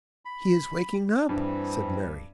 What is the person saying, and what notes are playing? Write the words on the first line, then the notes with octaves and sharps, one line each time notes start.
"He is waking up!" said Mary.
B5
G2 E3 G3 C4